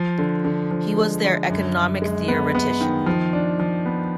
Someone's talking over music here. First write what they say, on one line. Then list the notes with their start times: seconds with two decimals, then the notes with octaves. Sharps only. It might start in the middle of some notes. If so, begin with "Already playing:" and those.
He was their economic theoretician.
Already playing: F3
0.18 D3
0.44 D3
0.71 F3
0.96 G#3
1.24 D3
1.49 F#2
1.76 F#2
2.02 G#3
2.28 B3
2.55 B3
2.81 D#3
3.06 F3
3.33 D4
3.59 F3
3.86 B3